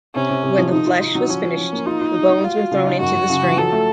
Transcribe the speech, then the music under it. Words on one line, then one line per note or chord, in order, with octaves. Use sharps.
When the flesh was finished the bones were thrown into the stream.
C3 C#4
C3
C3
F3
D#3 D#4
F4
F4
F#3
F3 C#4
F3
F3
A#3
D#4 F4
F4
F4
F#3
F4 F#4
F#4
C#3
D#4
F#2 F#4
F#2
C#3
F3
F#3 A4
A3